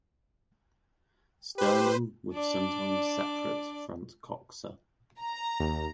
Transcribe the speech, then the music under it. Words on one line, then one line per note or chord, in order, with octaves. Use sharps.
Sternum with sometimes separated front coxa.
G4 B4 C5
D4 D5
A#5
D#2